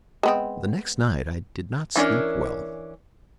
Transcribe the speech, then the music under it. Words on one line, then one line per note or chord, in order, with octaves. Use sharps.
'The next night I did not sleep well.
G#3 B3 C4
E3 C#4 D4 A#4